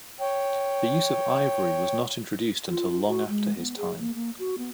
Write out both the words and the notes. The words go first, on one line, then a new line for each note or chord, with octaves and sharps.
The use of ivory was not introduced until long after his time.
C#5 G5
F4
F#4
G#3
B3
G#4
A#3
A#3
F#4
B3